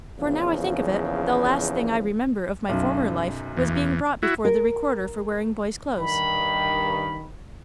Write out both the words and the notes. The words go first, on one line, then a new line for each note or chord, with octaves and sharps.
For, now I think of it, the last thing I remember of my former life was being brought before the recorder for wearing boy's clothes.
A#1 E2 C#3 F3
B1 F#2
E2
E4 F#4
A#4
G2 D#3 B5